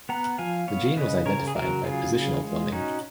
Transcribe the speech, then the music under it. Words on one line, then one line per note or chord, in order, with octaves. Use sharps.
The gene was identified by positional cloning.
B3 F#5 A#5
F3 F5 G#5
B3 C#5 F5
C#3 B4 D#5
C#3 A#4 C#5
G#4
F#3 F#4 A#4
C#3 F4 G#4
C#3
G#3
C#4 D#4 F#4